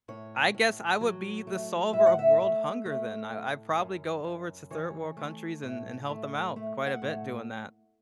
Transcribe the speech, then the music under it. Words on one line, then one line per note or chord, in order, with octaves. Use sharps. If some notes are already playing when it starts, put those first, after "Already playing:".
I guess I would be the solver of world hunger then. I I'd probably go over to third world countries and and help them out quite a bit doing that.
A2 C#5
A2
F#3
A3
A2 E5
F#5
E5
A3
A3
A2
F#2
F#2
E3 C#5
A3
A2
A3
A3
F#5
A2